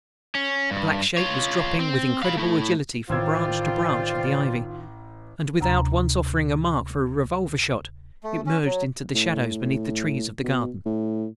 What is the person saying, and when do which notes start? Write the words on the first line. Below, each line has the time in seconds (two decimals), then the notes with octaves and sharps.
A black shape was dropping, with incredible agility from branch to branch of the ivy, and, without once offering a mark for a revolver-shot, it merged into the shadows beneath the trees of the garden.
0.35 C#4
0.71 G2
1.17 F4 C#5
1.80 C4
2.23 F5 B5
2.37 A3 E4
3.10 A1 D#3 F4 C5 D5 G5 E6 G#6
5.61 D2 C3 A#5
8.23 A3
8.47 C#4
8.65 F#3
9.15 A2
10.44 B2
10.85 A2